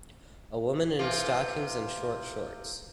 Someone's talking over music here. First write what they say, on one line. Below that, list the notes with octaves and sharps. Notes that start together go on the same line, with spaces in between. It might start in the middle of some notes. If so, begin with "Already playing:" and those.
A woman in stockings and short shorts.
C3 E3 F4